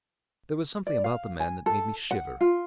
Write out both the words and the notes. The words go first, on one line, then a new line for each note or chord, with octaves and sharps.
There was something about the man that made me shiver.
D5
F5
G#5
A4
F#5
F4